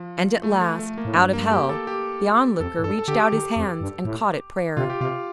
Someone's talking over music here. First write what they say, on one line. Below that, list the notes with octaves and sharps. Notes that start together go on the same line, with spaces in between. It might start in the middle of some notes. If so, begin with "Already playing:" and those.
And at last, out of hell, the Onlooker reached out his hands and caught at prayer.
Already playing: F3
A3
A3
A3
A#3
A2
G2
A#3
G4
A4
G4
F2 A4
A2
G2 A4
A4
D3 G4
D#3 G4
F2
G2
A2
C3 F4
G4
C3 F4